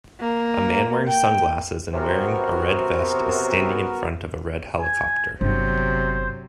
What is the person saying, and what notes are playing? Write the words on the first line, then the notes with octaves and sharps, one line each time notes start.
A man wearing sunglasses and wearing a red vest is standing in front of a red helicopter.
A#3
G5
F#2 C3 B3 F#4 A#4
G#5
G1 C3 F#3 C5